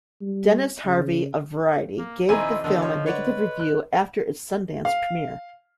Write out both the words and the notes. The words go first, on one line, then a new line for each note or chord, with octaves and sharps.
Dennis Harvey of "Variety" gave the film a negative review after its Sundance premiere.
G3
C#3
A#3
A#1 D#2 C4 E4 D#5 G#5 A#5 C6
D#2 B2 D3 D#3 A4
F3 C#5
B4 C#5 D5 F#5
F#6
F5